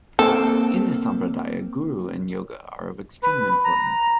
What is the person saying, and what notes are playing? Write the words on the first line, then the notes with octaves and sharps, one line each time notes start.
In this sampradaya, Guru and yoga are of extreme importance.
A#3 C4 A4
B4
A#5